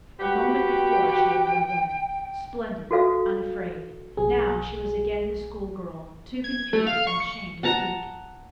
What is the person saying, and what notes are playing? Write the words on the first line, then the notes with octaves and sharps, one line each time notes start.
A moment before she had been a woman, splendid, unafraid; now she was again the schoolgirl, too confused and shamed to speak.
F#4 G4 B4 G5
F#4 A4 F5 D#6
B1 G#4
G#6
A3
F5
C#6
C#7
F#5 A5 A#5